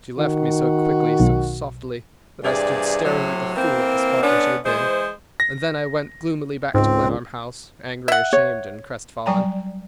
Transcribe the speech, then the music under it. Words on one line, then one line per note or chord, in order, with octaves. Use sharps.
She left me so quickly, so softly, that I stood staring like a fool at the spot where she had been, and then I went gloomily back to Glenarm House, angry, ashamed and crestfallen.
D#3 F#4
B1
E2 G2 C3 G#4 D5
A2 C3 F#3
E3 A#3 C4
D3 B3 C#4 D4
E3 G#3 C5
A#6
C#2 G#2 C4
E5 F#5
C#5
F#3 G3 D5 G5 G#5 A#5